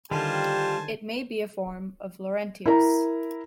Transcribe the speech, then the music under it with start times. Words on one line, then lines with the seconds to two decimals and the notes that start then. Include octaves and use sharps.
It may be a form of "Laurentius".
0.11 D3 D#3 G3 F4 G4 C5 G#5 A5
2.66 E4 A#4 A#5